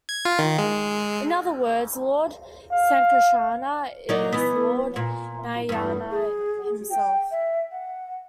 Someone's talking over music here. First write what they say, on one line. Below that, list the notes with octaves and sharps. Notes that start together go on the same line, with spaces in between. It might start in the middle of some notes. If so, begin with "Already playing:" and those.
In other words, Lord Sankarshana is Lord Narayana himself.
G#6
F4
D#3
G#3
F5
F#3 D#4 D5
E3 B3
A#2
E2 G2
G#4
G5
E5
F#5